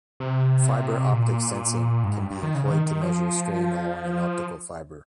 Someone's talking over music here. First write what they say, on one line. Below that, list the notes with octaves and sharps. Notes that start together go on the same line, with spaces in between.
Fiber optic sensing can be employed to measure strain along an optical fiber.
C3
A#2
G2
G#2
G2
G2
D#3
C#3
C#3
D#3
D#3
F3